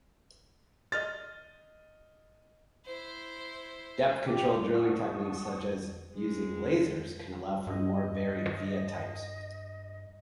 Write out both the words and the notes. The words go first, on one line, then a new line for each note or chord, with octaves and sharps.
Depth-controlled drilling techniques such as using lasers can allow for more varied via types.
D#5 F6 A6
E4 C5
G4
F#5 A5 C#6 D#6
G#3
G2 D#5